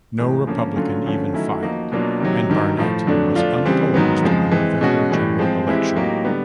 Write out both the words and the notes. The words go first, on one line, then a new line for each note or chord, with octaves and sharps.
No Republican even filed, and Barnett was unopposed in the November general election.
A2 E3 G#3
D3 F3 A#3 C#4
D3 F#3 A3 C#4 F4
D3 F3 A3 C#4
D#3 F#3 A3 C#4 E4
F3 A#3 D#4 F#4
B2 F#3 A#3 D4 F4
C3 D#3 F#3
G2 D#3 F#3
A2 F3 A3
F2 D3 F#3 A3 D4
F3 A3 D4 F4
C#3 E3 G3 C4
G#2 D#3 F#3 B3
F2 C#3 F3 G#3
E3 G#3 C4
B2 G#3 C#4 F#4
A2 E3 G3
F3 G#3 C4
E3 G#3 C4 E4 G4
A2 F#3 A#3 D#4 G4
D3 G3 B3